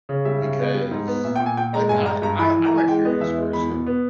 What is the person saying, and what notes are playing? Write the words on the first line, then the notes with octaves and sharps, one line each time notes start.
because, like, I I I'm a curious person,
C#3
G3 E5
C#3
B3
G3
G#2
B3
A#2 E5
G5
A#2
G#5
A#2 G5
G#3 A#5
G2 G#5
G#3 A#5
G2 A#5
E3 B5
E3
A#5
E3
G#5
G#3 G5
B3 D#5
E2 E5
G#3
E2 B5
B2
B3